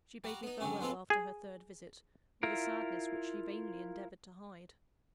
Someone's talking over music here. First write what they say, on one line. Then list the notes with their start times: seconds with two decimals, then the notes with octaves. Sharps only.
She bade me farewell after her third visit, with a sadness which she vainly endeavoured to hide.
0.24 G3 F#4 A#5
0.43 B3 D#4
0.60 F#2 D3 F#3 G3 C#4
0.81 G#3 B3 C4 F4 A4
1.10 G#4
2.43 E4 F4 A#4